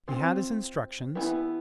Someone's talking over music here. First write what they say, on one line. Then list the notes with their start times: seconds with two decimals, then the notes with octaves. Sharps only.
He had his instructions.
0.08 C4 F4 C5
1.15 E3 B3 E4 G4 B4